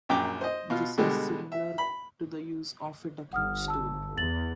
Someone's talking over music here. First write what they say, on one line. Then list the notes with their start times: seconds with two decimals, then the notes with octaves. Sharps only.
This is similar to the use of a ducking stool.
0.09 A#1 F#2 G5 A#5 D6
0.41 C5 D#5
0.70 B2 F4
0.97 B2 D3 G3 G#3
1.52 E5
1.78 B5
3.33 G1 F#5 D#6 F6
3.68 A5 E6
4.17 E2 A6 F#7